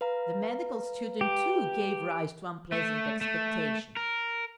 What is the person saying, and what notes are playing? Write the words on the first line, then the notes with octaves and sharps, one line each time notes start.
The medical student, too, gave rise to unpleasant expectations.
B4 F5 A#5
G4
A3
A3
A#4